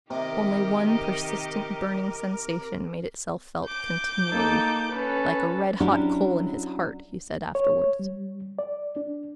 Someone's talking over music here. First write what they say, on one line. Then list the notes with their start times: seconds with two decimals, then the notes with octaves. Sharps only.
Only one persistent burning sensation made itself felt continually, "like a red-hot coal in his heart," he said afterwards.
0.10 C3 D#3 G4 A#4 D#5 D6
3.66 D6 G6
4.31 A#3 D#4 A4
4.92 C#4 A4 B4
5.80 F#3 C#4 D4 E4 F#4 G4
7.55 C#5
7.99 G3
8.59 D5
8.96 D4